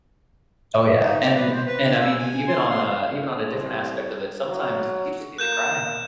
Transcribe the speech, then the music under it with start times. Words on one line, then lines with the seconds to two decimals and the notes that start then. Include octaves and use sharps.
Oh yeah. And and I mean, even on a even on a different aspect of it, sometimes you just need to cry.
1.02 D#4
1.22 D5
1.35 B4
1.52 C5
1.67 B4
1.83 D4
2.00 E6
2.19 G#5
2.47 C6
2.70 C6
3.35 C2
4.48 F#3
5.38 A#3 F#6 G6 E7